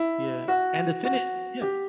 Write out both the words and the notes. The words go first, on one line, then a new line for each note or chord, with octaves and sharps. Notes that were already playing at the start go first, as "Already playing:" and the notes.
Yeah, and the thing is Yeah.
Already playing: E4
F#4
F#4
G4